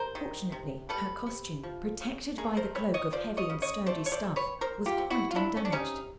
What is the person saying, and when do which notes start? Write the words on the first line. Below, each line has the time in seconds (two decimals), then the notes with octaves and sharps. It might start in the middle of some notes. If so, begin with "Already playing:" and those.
Fortunately her costume, protected by the cloak of heavy and sturdy stuff, was quite undamaged.
Already playing: C3 A#4 C5
0.15 D#3
0.52 C3
0.89 G3 A4 B4
1.27 C3
1.63 F3
2.01 C#3
2.38 A3 G#4 A#4
2.57 A#4 C5
2.75 C4 B4 C#5
2.94 C#5 D#5
3.12 F3 C5 D5
3.37 C#5 D#5
3.50 C#3
3.62 C#5 D#5
3.86 A3 C5 D5
4.06 C#5
4.12 C5 D5
4.23 C4
4.36 B4 C#5
4.61 D#3 A#4 C5
4.86 F4 G4
4.98 C3
5.10 E4 F#4
5.31 F4
5.35 F#3 D4 E4
5.57 C#4
5.65 D4
5.72 C3 C#4 D#4